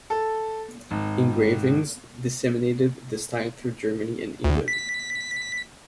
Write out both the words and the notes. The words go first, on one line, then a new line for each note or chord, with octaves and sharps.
Engravings disseminated the style through Germany and England.
A4
G#1
D2
B6